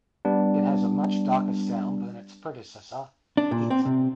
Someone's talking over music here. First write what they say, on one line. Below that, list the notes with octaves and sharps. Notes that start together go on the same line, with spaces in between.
It has a much darker sound than its predecessor, "It".
G3 B3 D4
D4
A#2
C4
C3